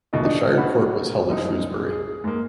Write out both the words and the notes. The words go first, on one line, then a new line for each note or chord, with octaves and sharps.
The shire court was held at Shrewsbury.
D#1 B2 D#3 A3 D#5
D#3 D4 D#4
F#4 B5
C2 F#2 D#4
G#4
G#2 A#3